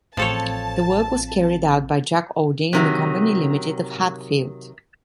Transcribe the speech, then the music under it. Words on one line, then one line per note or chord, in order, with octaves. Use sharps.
The work was carried out by Jack Olding and Company Limited of Hatfield.
A1 F3 C4 A4 C#5 A5 A6
C3 D#3 F#3